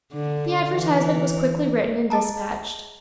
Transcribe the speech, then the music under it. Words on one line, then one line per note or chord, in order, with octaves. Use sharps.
The advertisement was quickly written and despatched.
D3
E3
G#4 D#5 A5 A#5